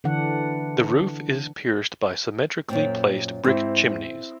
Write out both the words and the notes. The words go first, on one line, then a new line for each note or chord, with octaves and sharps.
The roof is pierced by symmetrically placed brick chimneys.
D3 E3 D4 F#5
F#2 A#2 C4
G#2 C4 E4